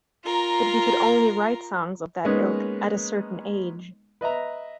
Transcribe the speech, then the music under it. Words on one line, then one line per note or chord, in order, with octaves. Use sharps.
But we could only write songs of that ilk at a certain age.
F4 A#4 A#5
G#3 A#3 B3 C#4 D#4 D#5
B4 D#5 E5 A#5